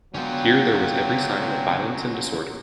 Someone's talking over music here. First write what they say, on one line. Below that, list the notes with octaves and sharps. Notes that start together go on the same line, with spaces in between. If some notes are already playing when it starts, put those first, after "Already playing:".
Here there was every sign of violence and disorder.
D3 F#3 B3 C#4 F4 G5